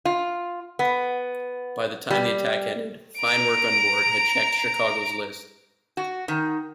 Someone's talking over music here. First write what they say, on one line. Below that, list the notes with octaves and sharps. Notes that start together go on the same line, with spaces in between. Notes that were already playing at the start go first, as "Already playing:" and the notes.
By the time the attack ended, fine work on board had checked "Chicago's" list.
F4
B3
G3
A#5 D7
F#4
D#3